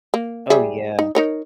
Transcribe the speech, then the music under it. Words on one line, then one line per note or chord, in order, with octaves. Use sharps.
Oh, yeah.
A#3
G3 G#4 E5
D#4
D#4 A#4 C#5